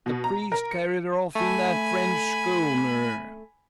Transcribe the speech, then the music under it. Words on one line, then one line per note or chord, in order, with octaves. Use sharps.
The priest carried her off in that French schooner.
B2
A#5
A#4
C#7
A3 G#5 B5